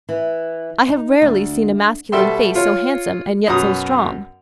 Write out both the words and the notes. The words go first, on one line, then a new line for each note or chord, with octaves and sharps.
I have rarely seen a masculine face so handsome and yet so strong.
E3
D#4
D2
B2 G3 A4 E5 G5 C6
F4 C#5
F#2 B2 F#3 A#5 D#6